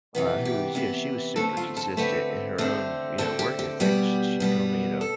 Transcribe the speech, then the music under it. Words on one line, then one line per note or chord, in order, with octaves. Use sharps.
uh, who's yeah, she was super consistent in her own, you know, work ethic, sh she told me, you know,
C3 E3 B3
G4
C3 E3 B3
D3 A3 C4 A4
F4
A4
D3 A3 C4 B4
D3 A3 C4
D3 A3 C4 A4
G4
G4
B2 G3 B3 G4
B2 G3 B3
A4